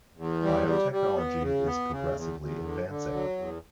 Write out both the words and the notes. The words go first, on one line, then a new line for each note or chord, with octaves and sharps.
Biotechnology is progressively advancing.
E2
G3
G3
G3
B3
C#3
B3
C#3
E2
E2
D3
D3
F#3
E2